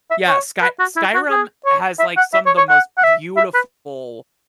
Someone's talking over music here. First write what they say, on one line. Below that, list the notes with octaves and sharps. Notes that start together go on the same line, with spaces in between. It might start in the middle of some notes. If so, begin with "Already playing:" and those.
Yeah, Sky Skyrim has like some the most beautiful,
E5
C#5
B4
F#4
E4
F#4
G#4
C#5
E5
F#5
E5
C#5
C#5
F#5
F#5
E5
E5
B4